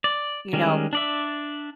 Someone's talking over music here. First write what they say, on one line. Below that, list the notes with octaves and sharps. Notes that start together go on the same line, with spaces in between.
you know,
D5
D#3 G3 G#3 C#4
D4 D5 E5